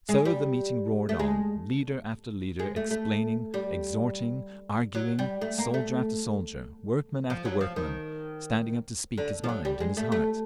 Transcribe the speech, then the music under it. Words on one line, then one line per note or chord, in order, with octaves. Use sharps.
So the meeting roared on, leader after leader explaining, exhorting, arguing, soldier after soldier, workman after workman, standing up to speak his mind and his heart....
G#3
G3
A3
G#3
G#3
A3
A3
G3
F#3
G3
A3
A#3
A3
F3
F#3
F3
D#3
D3
F3
F#3
G3
G#3
A3
A3